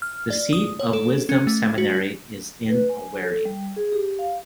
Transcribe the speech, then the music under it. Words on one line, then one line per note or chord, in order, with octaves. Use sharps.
The Seat of Wisdom Seminary is in Owerri.
F6
D5
D#6
C#5
A4
C#4
A3
F#4
B4
G#5
A4
G3
G#4
G4
F5